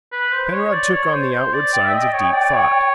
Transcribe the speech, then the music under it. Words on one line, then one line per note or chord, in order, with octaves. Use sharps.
Penrod took on the outward signs of deep thought.
B4
C5
C#5
D5
C#5
C5
C5
D5
D5 G5
E5
D#5
C#5
D5
D5
C#5